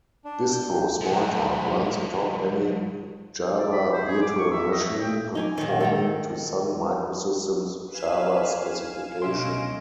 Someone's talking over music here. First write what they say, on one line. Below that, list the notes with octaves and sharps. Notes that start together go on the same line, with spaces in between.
Bistro Smalltalk runs atop any Java virtual machine conforming to Sun Microsystems' Java specification.
D4
G6
F3 F#3
D5
B5
C5
G#4
D6
C#6
E5
D#5
E5
G5
D#4 G#5 D6
A#2 D#3 C#5
A4 G5 A#5
B4 F5 G#5 E7
B1 C#4 D#5 E5 C6 D7